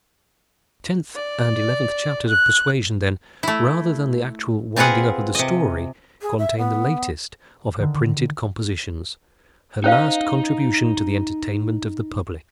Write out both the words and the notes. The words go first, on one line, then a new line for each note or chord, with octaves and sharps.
The tenth and eleventh chapters of 'Persuasion' then, rather than the actual winding-up of the story, contain the latest of her printed compositions, her last contribution to the entertainment of the public.
D5
F#6
A3 E4
C4 F4 G#4 B4 F#5 G#5
C3 D#5
G#4
E5
B3
D3 D#3
C#4 D#4 C5 D#5 F5